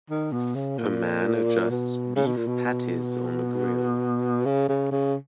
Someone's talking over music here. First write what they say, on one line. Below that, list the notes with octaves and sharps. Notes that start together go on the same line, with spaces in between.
A man adjusts beef patties on a grill.
D#3
B2
C#3
A#2
B2
C#3
B2
A#2
B2
C#3
C#3
C#3